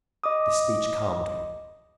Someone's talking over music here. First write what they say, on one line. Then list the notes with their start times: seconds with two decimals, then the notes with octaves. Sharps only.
This speech calmed me.
0.24 D#5 D6 D#6